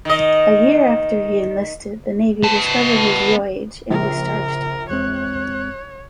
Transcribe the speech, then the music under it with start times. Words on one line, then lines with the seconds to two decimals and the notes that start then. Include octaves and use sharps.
A year after he enlisted, the Navy discovered his real age and discharged him.
0.05 D#3 D#5
2.43 B3 A5
3.90 A#1 C#3 A#4
4.89 E2 G#3 C4 C#5 F#6